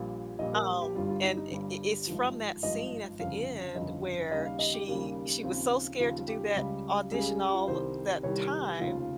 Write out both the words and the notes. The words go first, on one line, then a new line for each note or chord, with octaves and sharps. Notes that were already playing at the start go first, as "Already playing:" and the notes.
Um, and, i i it's from that scene at the end where she she was so scared to do that audition all that time,
Already playing: A#1 A#2 G3
A#1 A#2 G3 D#5
A#4
G4
G1 G2 G3 F4
F4
D#4
D#4
G1 G2 G3
G#1 G2 F3
G#1 G2 F3 D#5
G1 F2 C#3 F5
G1 F2 C#3 D#5
D#2 C#3 G3 D#5
F5
D#5
G4
D#2 C#3 G3 A#3
D#2 C#3 F3 C4
D#2 C#3 F3 F4
G4
C#2 C#3 G3
C#2 C#3 G3 G#4
G#4
G4
F4
C2 C3 D#3 G3 C5
C2 C3 D#3 G3 C#5
F1 D#2 C#3 F3 F4